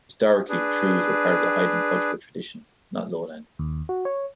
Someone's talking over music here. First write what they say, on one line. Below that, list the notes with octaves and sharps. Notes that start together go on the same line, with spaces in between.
Historically trews were part of the Highland cultural tradition, not Lowland.
D4 G#4 B4
D#2
F#4
C#5